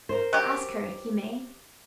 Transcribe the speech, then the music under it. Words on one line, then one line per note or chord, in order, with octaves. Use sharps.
"Ask her if you may."
A#4 C5
F#3 G4